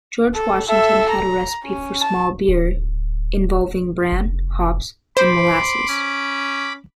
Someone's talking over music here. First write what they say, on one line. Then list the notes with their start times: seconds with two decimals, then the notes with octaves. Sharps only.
George Washington had a recipe for small beer involving bran, hops, and molasses.
0.35 A4
0.68 A4 E5
1.10 A#5
1.65 C#4
2.01 A5
2.48 D1
4.12 F1
5.17 C5 B5 C6 D6
5.89 C#4